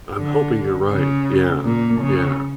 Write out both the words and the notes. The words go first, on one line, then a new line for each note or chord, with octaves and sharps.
I'm hoping you're right, yeah. Yeah,
D3
C#3
A#2
C#3